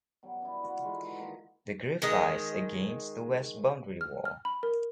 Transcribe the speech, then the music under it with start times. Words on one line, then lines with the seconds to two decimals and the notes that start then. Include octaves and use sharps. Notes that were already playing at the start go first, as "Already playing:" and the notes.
The grave lies against the west boundary wall.
0.23 B2 F#3 G3
0.42 D4 E4
0.64 F4 F#4 B4 F#5
0.82 E3 G#3 D#4 A4
1.19 D#3 A#3 D#4 F4
2.02 D#3 G#3 D#5
4.01 F6
4.25 F6
4.45 B5
4.63 A#4